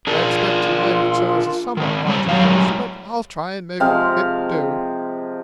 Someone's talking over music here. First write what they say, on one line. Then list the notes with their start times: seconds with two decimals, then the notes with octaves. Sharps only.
I expect you might have chose a somewhat larger fish, but I'll try an' make it do.
0.07 D4 F4 G#4 A#4
1.77 D#3 G#3
2.07 G3 G#3 C#5
2.26 F2 D#3 F#3 F5
2.43 G3 G#3 E4
3.80 C3 F3 G#3 F5